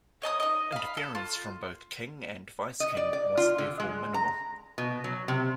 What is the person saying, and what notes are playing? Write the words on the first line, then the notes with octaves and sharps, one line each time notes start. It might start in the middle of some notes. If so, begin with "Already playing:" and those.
Interference from both King and Vice King was therefore minimal.
C#5 D#5 A5 D#6
D#4 D#5
F5 B5
A4
F4
D#5
D5
D5
F4
D3
G#3
A#5
B2
F#3
C3